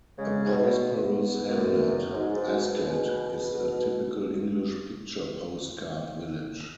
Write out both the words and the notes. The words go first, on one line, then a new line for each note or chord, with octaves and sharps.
A prosperous hamlet, Askett is a typical English "picture postcard" village.
C#3 G#3
G#2
B2 B3
F#2
G#2 F#4
G#2
B2
G#4